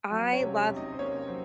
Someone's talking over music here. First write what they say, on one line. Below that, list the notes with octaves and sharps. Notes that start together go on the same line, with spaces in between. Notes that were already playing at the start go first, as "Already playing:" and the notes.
I love
F#3 C4 C5
C#4 C#5
C3
C#4 C#5
C3
D#4 D#5
C5
A#3 C#4 C#5
F#3 C4 C5